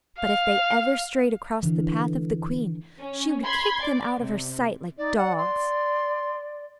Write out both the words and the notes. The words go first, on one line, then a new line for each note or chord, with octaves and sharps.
But if they ever strayed across the path of the queen, she would kick them out of her sight like dogs.
F5
D3 E3
C#4
B5 C6 G#6
D5
C3
D#4 D5
D5 F#5
C6